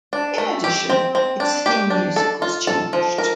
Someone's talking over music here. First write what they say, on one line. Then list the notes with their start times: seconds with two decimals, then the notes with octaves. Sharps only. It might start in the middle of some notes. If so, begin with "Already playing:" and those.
In addition, its theme music was changed.
0.13 D4
0.38 A3
0.64 G4
0.90 C4
1.15 C4
1.40 D4
1.66 G4
1.90 D4
2.16 A4
2.42 F4
2.67 A4
2.93 F3
3.18 A#4